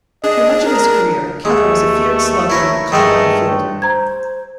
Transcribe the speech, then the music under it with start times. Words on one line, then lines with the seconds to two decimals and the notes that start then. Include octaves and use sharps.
Through much of his career, Keller was a feared slugger and a competent fielder.
0.24 D4 G#4 D#5
0.67 A#4
1.45 D#2 G#3 A3
2.50 E4 A#4 C#5
2.92 G2 D#3 G#3 A3 A#4
3.82 C5 A#5 G#6